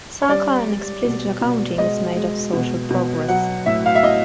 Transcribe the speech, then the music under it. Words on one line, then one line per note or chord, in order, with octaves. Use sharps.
Sarkar an explicit accounting is made of social progress.
C#5
G3 D5
G3
B2
B2
G#3 D#5
G#3
B2
B2
F#3 F#5
A2 E5
F5
E5
A2 D#5